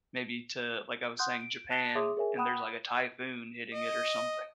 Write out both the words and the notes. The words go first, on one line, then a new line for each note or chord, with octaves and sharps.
maybe to like I was saying, Japan and there's, like, a typhoon hitting it or something.
F#5 C6 D#6 F#6 G6
D7
A5 F#6 A6 A#6 E7 G7
G#4 C#5 E5 C6 D6 D#6
G#4 A#4 C#5 E5 G#5
F#5 G5 B5 D#6 F#6
D#5